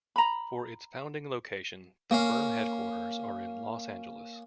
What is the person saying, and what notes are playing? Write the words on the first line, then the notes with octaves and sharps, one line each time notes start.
For its founding location, the firm headquarters are in Los Angeles.
A#5 B5
A#3 C#4 F5